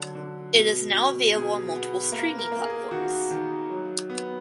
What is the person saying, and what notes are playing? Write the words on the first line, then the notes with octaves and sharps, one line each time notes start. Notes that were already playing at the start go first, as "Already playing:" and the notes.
It is now available on multiple streaming platforms.
Already playing: D3 F#3
D3
B2
B2
B2 G#4
B3
A#3 A#4
A#4
A#3
G#4
D#3 F#4
D#3
F#3
B3